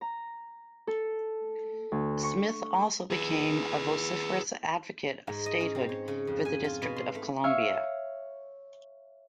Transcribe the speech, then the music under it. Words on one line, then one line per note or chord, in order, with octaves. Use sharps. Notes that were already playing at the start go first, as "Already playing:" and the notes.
Smith also became a vociferous advocate of statehood for the District of Columbia.
A#5
A4
D2
C#6
G#4 B4
G#2
D#5
C#4
C4
C#5
C#3
F2
G#5
F4
B2
C6
A3
C#5 E5 F5